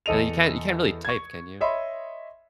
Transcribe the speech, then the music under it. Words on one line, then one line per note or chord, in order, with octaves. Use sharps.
And then you can't you can't really type, can you?
E2 A4 D#5 D#7 F7
C#6 G#6
C#5 D#5 E5 B5 C6